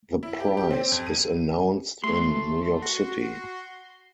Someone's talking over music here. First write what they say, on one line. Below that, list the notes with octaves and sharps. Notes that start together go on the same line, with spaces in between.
The prize is announced in New York City.
E4
G4
G4
C4
F2
D#7
A3 C6
F#4